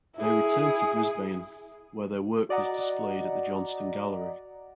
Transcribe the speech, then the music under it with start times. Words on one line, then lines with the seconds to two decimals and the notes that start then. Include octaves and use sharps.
They returned to Brisbane where their work was displayed at the Johnstone Gallery.
0.16 E4 G#4
2.49 F#4 D5 D#5 F#5 A#5